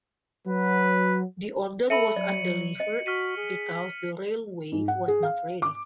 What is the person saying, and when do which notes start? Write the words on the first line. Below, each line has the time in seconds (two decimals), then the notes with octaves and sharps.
The order was undelivered because the railway was not ready.
0.47 F#3 B4
1.90 A4 E5 B5 C#7 D#7 F#7
2.16 F#3 D5
2.80 D#5
3.06 F#4 F6 B6 D#7
3.37 G#4
4.72 G#2
4.88 F#5
5.08 G#4
5.23 F5
5.62 D6